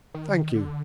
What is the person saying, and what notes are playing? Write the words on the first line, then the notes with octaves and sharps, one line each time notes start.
"Thank you."
D#3
D3
D#3
D3